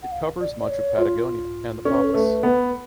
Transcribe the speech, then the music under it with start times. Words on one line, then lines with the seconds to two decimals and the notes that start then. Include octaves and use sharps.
It covers much of Patagonia and the Pampas.
0.03 F#5
0.12 F5
0.40 D5
0.59 D5
0.69 C#5
0.98 F4
1.85 C#4 C#5
1.94 B4
2.04 A4
2.13 A3 B4
2.43 B3